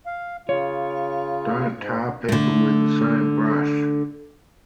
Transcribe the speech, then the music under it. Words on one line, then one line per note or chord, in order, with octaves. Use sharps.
Don't tar people with the same brush.
F5
C#3 F4 C#5
G#2
D3 A3